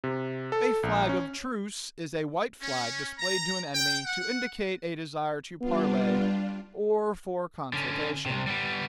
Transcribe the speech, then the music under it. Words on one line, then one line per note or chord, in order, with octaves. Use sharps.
A "flag of truce" is a white flag displayed to an enemy to indicate a desire to parley or for consultation.
C3
A4
A#1
C#4
C#4
A#5
G5
F#5
G3 B3 D4 F4
D3 C#4
C2 C3
G3 B3